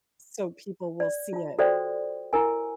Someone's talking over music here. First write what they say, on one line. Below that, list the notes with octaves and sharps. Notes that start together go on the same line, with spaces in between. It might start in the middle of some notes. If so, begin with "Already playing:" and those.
so people will see it.
D5
F4 A5
F#4 A4 C5 D5 G5 C6
E4 A#4 G#5